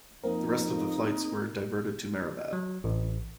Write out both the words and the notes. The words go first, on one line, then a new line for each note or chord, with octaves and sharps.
The rest of the flights were diverted to Mehrabad.
F2 F3 A#3 C4 D#4 A#4
F#3
A1